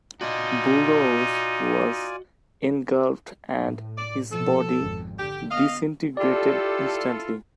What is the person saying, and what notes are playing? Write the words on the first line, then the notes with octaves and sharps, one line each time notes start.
Burroughs was engulfed and his body disintegrated instantly.
D#4 F4 F#4 D5 D#5 G#5
A2
D5
B2 F3 A4
G#1 F2
D3 G4
B3 D#5 F5
E4 F4 G4 A4 D5